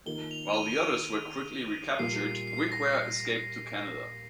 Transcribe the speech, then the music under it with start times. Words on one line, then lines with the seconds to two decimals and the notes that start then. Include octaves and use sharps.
While the others were quickly recaptured, Grigware escaped to Canada.
0.06 D#3 A#3 F4 A#4 G7
0.31 F7
0.54 D#7
0.78 D7
1.99 A#2 G3 A#3 F4 C7
2.47 C7
2.72 A#6